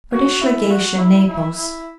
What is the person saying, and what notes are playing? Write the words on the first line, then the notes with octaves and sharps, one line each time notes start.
British Legation, Naples.
F#4
E4
F#4
E4
E4
E4